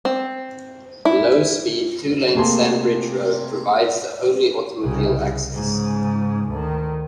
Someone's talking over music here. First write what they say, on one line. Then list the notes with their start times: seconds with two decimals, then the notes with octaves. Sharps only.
Low speed, two-lane Sandbridge Road provides the only automobile access.
0.05 C4
1.05 E4
2.35 C3 A3 A#3 G#4 A5 C6
4.82 C2 C#3
5.52 G#2 C#3
6.50 D2 D#3